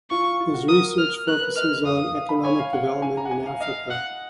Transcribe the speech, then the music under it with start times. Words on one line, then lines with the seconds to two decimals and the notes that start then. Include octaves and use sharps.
His research focuses on economic development in Africa.
0.10 F4 C#6
0.40 F4
0.54 F#4
0.68 A#4 D#6
0.98 F6
1.27 A#4 F#6
1.41 B4
1.56 D#5 F6
1.85 F5 D#6
2.15 F5
2.29 B5
2.44 C#5 G#5
2.59 F5
2.73 F#5
3.02 G#5
3.17 A#5
3.25 F#5
3.31 G#5
3.46 F5
3.60 D#5 F5
3.90 F#5